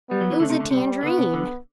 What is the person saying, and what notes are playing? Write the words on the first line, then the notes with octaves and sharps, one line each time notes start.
It was a tangerine.
G3 B3
F#3
E3
D3 A3
C3
D3
C3 G3
D3 B3
C3
D3